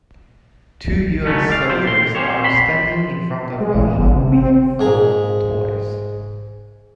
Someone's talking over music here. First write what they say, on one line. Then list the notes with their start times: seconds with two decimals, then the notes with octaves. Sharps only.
Two US soldiers are standing in front of a Humvee full of toys.
1.25 C#3 F#3 G#3 A3 B3 C#4
1.49 E4 D5 F5
1.70 F#3 C4 F4 G4 C5
1.84 D#2 C6
2.15 C4 C#4 D#4 G4 C5 C#5
2.44 B5 C6
3.60 G#3
3.74 A1
3.94 G1
4.15 C3
4.32 C4
4.79 G#2 G#4 A#5